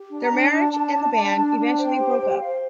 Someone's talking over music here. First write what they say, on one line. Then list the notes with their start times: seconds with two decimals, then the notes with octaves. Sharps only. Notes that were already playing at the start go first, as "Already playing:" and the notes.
Their marriage and the band eventually broke up.
Already playing: G4
0.11 D4
0.21 A#5
0.31 D4
0.37 A5
0.52 D4
0.73 D4
0.94 D4
1.14 D4
1.35 D4
1.57 D4
1.77 C5 G5
1.98 G4
2.20 C5
2.40 C5 F5